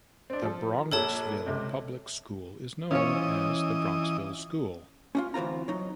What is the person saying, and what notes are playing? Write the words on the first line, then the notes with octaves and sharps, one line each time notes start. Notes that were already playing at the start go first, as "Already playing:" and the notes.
The Bronxville Public School is known as The Bronxville School.
C4 D4
F3 A4
A#1 A#2 A4 C#5 A5
C#2 C3
E3 C#4 F4 C#5 D#5
C#4 D4 F4
D2 E3 C4 F4 A#5
F#3 D#4